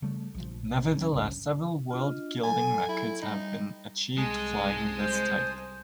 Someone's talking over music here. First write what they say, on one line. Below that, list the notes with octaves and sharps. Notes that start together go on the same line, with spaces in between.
Nevertheless, several World Gliding Records have been achieved flying this type.
C#3 G3 A3
A#1 F3
D#1 F#3 C#4
G#1 C#2 G2 C#3
D4 F4 D#5
F#3 A4 G#5
E4
G3 D#4
C2 G#3 G#5 A5 D#6
C5